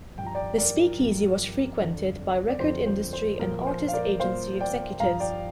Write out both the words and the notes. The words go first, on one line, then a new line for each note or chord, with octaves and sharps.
The Speakeasy was frequented by record industry and artist agency executives.
G2 G5
F3 A#5
D5 G5
A#4 D5
G2 F3
F2 D3 F3
D5
F2 D3 F3 C5
C5
C5
A#2 F3 A#4
C5
F5
A#4 D5
A#2 F3 C5 F5
D5 G5
G2 F3 F5 A#5
D5 G5